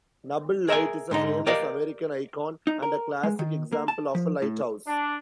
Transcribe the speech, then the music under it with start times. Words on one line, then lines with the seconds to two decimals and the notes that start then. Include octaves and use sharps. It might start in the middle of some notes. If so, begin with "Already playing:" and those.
Nubble Light is a famous American icon and a classic example of a lighthouse.
0.68 G#4 A#4 E5 F#5 G#5
1.11 G#2 D3 D#4
1.46 G4 A#4 D5 D#5 F5
2.67 D#4
2.82 A#4
3.23 G#3
3.39 D#3
3.72 A#3
3.88 A5
4.15 F3
4.42 A2
4.87 D4